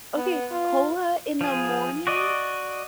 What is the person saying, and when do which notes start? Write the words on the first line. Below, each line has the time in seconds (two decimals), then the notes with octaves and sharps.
Okay, cola in the morning?
0.16 B3
0.51 F4
1.41 F3 G#4
2.07 F#4 D5 D#5